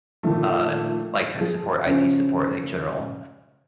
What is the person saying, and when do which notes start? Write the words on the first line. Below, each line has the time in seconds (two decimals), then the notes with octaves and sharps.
uh, like, tech support, IT support, like, general,
0.23 A#2 D3 D#3 F3 A3
1.41 F3 G#4
1.86 C#3 F3 C#4